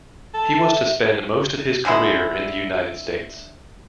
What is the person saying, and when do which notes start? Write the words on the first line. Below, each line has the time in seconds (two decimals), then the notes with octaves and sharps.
He was to spend most of his career in the United States.
0.34 A4
0.56 E5
1.85 D3 G#3 B3 E4